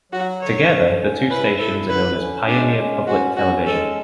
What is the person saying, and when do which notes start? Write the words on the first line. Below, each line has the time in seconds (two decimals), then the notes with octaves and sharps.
Together, the two stations are known as Pioneer Public Television.
0.12 F#3 F#4
0.41 D3 C#5
0.72 D3
1.01 C#4
1.30 E4 B4
1.59 E4 A4
1.89 D3 B4
2.19 C#4
2.48 G#3 D4
2.78 C#4
3.07 C#4 F#4
3.36 C#4 F#4
3.66 G#3 A4